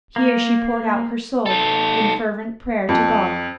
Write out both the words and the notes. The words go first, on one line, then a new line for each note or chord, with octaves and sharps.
Here she poured out her soul in fervent prayer to God.
A#3
D#4 A4
F2